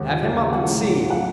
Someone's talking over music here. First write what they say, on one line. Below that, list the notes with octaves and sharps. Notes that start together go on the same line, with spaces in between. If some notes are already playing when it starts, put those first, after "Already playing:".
"Have him up and see...."
Already playing: D#2 G#2 F#5
F3
D#2
C#3
F3 F#5
A2
B1
F3
F#5